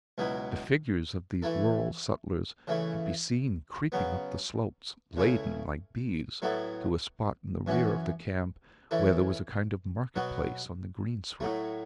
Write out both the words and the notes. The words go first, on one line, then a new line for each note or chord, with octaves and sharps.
The figures of these rural sutlers could be seen creeping up the slopes, laden like bees, to a spot in the rear of the camp, where there was a kind of market- place on the greensward.
C#2 B2 F#3 B3 E4
E3 A3 E4 A4
C#3 E3 A3 E4
C#3 F#3 B3
C#2 C#3 A3 E4
A2 F#3 B3 E4 A4
F#2 E3 C#4 F#4
E3 C#4 E4 A4
B2 F#3 B3 F#4
A2 F#3 A3